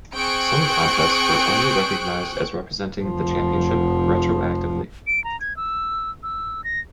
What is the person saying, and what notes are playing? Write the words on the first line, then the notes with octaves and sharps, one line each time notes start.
Some contests were only recognised as representing the Championship retroactively.
C4 G#4 G5 C#6 F#6 D7
F1 F3
D7
A#5
G#6
E6
E6
A#6